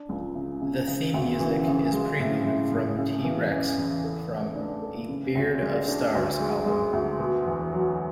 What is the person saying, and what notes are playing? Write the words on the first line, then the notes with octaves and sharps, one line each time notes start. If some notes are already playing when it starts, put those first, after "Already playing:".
The theme music is "Prelude" by T. Rex from "A Beard of Stars" album.
Already playing: D4
C#2
C#3
C#3
C#3
D2
E3
C#3
G#3
A2
A2
A2
C#3
E3
E2
E2
A4
A3
D4
A4
C#3
D2
G#3
D4
D2
G#3
G#3
D2
B2
E2
F#3